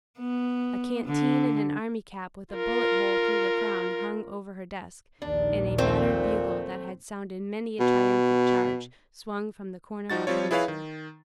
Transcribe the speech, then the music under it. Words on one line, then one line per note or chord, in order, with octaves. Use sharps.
A canteen and an army cap with a bullet-hole through the crown, hung over her desk, and a battered bugle, that had sounded many a triumphant charge, swung from the corner of her mirror.
B3
D3
F4 A#4
A#1 D#2 D#3 D4
A#2 A3 C4
B2
F3 D#4 F#4 A6
F3 G3 C4 F4 C#5
E4 G#4 B4 C#5 F5
D#3